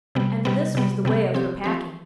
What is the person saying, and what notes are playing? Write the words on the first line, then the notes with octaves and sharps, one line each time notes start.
And this was the way of her packing.
C3 G3 B3
C3 G3 B3
C3 G3 B3
C3 G3 B3
F3 C4 G4
F3 C4 G4